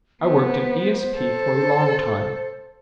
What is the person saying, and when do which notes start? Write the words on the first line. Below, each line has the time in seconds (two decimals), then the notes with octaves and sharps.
I worked in ESP for a long time.
0.24 B3 C5
1.16 A4